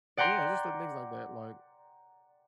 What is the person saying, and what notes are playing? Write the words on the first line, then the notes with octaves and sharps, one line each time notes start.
And yeah, just doing things like that, like
D5 F#5 G5 A#5 C6